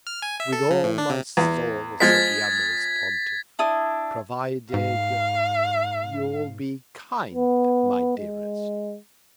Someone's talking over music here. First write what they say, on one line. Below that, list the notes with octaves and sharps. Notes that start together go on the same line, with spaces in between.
With all my Soul, said the amorous Pontiff, provided----you'll be kind, my dearest.
F6
G#5
E5
A4
C#3
A2
D4
C3
E2
F3 G#3 G#6 A6 B6
D4 E4 D#6
G#2 F5
B3
G#3